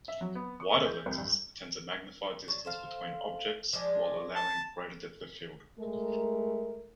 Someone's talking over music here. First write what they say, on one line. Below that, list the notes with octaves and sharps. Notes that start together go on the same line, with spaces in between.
Wider lenses tend to magnify distance between objects while allowing greater depth of field.
E5
F#3
B3
C#6
D#2
G6
C2
G2
F#3 A5
A4 C5 F5
F3 G#3 D4
A5
G#3 A3 A#4